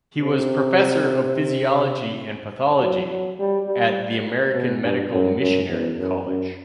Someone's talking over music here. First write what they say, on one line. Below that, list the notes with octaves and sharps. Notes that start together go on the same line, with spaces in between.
He was Professor of Physiology and Pathology at the American Medical Missionary College.
C3
F#3
F#3
G3
G3
B2
G2
F#2
F#2
E2
F#2
F#2